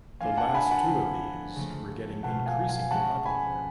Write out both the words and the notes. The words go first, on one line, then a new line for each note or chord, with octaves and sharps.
The last two of these were getting increasingly popular.
F3 B3 D4 F4 A4 F5 G#5
F#5 A5
G#5 B5
F#5 A5
D3 F3 A3
C#3 F3 A3
B2 A3 F4 F#5 A5
F5 G#5
F5 G#5
F3 G#3 C#4 F#5 A5
G#5 B5